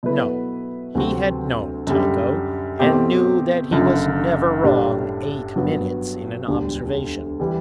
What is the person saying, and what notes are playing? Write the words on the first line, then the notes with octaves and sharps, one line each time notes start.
No, he had known Tycho, and knew that he was never wrong eight minutes in an observation.
B2 F#3 A3 E4 B4
D2 C3 F#3 C4 F#4
F#2 D3 G3
B2 A3 C4 G4
F#1 F#2 D3
A2 G3 D4 G4
G2 F#3 B3 F#4
E1 D2 D3 G3
E3 G3